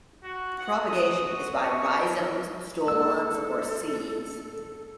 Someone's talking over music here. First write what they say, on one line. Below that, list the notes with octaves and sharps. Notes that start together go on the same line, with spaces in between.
Propagation is by rhizomes, stolons, or seeds.
F#4
F#5
D#6
F#4
C#6
G#3 A#3 D4 A4 E6